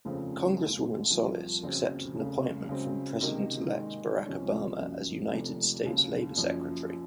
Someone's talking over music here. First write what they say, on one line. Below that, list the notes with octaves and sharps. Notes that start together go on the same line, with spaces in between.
Congresswoman Solis accepted an appointment from President-elect Barack Obama as United States Labor Secretary.
F1 D#2 C#3 F3 C4
F1 D#2 D#3 G#3
C2 A#2 F3 A#3
F#1 F2 C#3 F#3 C4
F1 D#2 C#3
C#2 C#3 F#3 C4
C#2 C3 D#3 A#3 D#4
G#2 D#3 G#3 D#4
C2 C3 F3 G#3 C#4
F#1 F#2 F3 A#3
F1 F2 C3 F3
D#2 C#3 F#3
F#1 F#2 F3